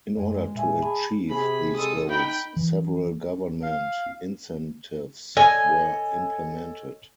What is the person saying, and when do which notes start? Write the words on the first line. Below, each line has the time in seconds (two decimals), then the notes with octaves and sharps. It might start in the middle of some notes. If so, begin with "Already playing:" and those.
In order to achieve these goals several government incentives were implemented.
0.17 F#2 G#3
0.55 A#2 E5 G#5
0.83 G#4 A5 B5
1.29 C3 G#4 B5
1.75 C3 G#3 A4 D#6
2.09 D#4 G5 B5
2.56 E3
3.63 F5
5.37 A4 C#5 D#5 G#5